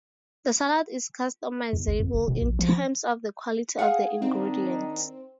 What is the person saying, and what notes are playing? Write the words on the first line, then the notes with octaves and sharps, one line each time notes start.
The salad is customizable in terms of the quality of the ingredients.
E2
G1
F2
F#1
B2
A#1
F3
G#4 F5 F#5
D#3 C4 D4 D#4